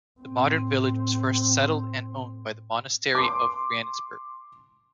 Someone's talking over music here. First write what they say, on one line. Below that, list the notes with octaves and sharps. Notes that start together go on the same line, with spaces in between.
The modern village was first settled and owned by the Monastery of Frienisberg.
A2 C4
C6 D6